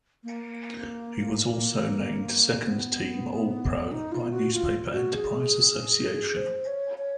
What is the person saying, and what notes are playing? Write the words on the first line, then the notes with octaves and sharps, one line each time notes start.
He was also named Second Team All-Pro by Newspaper Enterprise Association.
A#3
A#3
B3
D#4
F4
F#4
F4
F#4
G#4
C5
C#5
C#5